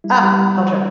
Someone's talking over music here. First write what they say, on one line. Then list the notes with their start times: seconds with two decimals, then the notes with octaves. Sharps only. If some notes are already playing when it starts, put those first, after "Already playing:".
Ah! So true.
0.04 G3 E4
0.23 G3